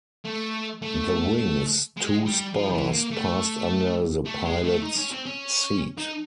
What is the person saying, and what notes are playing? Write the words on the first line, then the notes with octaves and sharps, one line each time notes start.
The wing's two spars passed under the pilot's seat.
A3
A3
G#3
G3
F3
E3
A#3
A3
A3
G#3
A3
D#4
C#4
C4
C#4
D#4